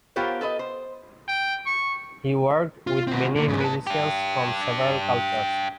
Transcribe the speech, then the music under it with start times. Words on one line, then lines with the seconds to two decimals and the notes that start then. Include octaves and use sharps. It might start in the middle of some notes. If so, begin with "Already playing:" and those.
He worked with many musicians from several cultures.
0.16 B3 F4 G4 A#4 C5 C#5
0.41 A4 B4 D5 D#5
0.59 C5
1.28 G5
1.66 C#6
2.87 F4
3.07 C4 F#4
3.36 D3 A#3
3.48 E2 G#2
3.60 B4 A5
3.87 D4 G4